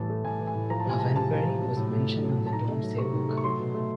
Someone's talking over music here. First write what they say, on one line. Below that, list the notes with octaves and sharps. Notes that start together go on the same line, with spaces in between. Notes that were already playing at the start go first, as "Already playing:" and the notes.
Avenbury was mentioned on the Domesday Book.
Already playing: A2 E3 G3 A5
A3
A2 G#5
E3
G#5
A2
F3 A#5
A5
C3 G#5
G#3 A5
C3 A5
F3
C3
F#3
A2
A3
A2
F#3
A2
A5
D#3 A#5
A3
F#3
C3 C#6
D#3
A3
C#6
F#3 C6
B2
A3